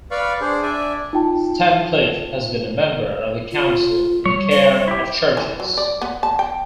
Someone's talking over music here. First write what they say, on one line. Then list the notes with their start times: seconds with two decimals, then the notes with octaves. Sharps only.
Stancliffe has been a member of the Council for the Care of Churches.
0.11 B4 D5 F5 B5 C#6
0.41 D4 G#4 C5
0.63 D4 D5 E5 G#5
1.13 D#4 F4 G5 A5
3.51 F4
4.26 G3 C#5
4.52 C5
4.88 E4 G4
5.37 E3
5.60 F#3
5.78 D5
6.02 B3
6.23 A5
6.39 G5